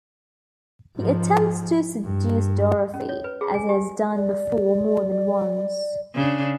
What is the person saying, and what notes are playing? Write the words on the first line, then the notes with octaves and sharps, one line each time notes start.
He attempts to seduce Dorothy, as he has done before more than once.
G#2 F3
G2
C#4
C#5
B4
G#4
G#5
G4
D5
C#3 D4